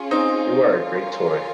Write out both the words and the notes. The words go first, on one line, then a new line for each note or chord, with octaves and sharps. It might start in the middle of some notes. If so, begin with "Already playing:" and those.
You are a great toy!
Already playing: C#4 F4 G#4
C4 D#4
F4 A#4 C#5 F5 G#5